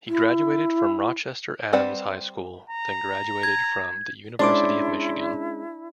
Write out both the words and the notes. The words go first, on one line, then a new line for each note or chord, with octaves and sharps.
He graduated from Rochester Adams High School, then graduated from the University of Michigan.
E4
G3 C4 B4 D5 F#5
A#5
G#6
G#3 C#4 D4 E4 C5 D5 C6 D6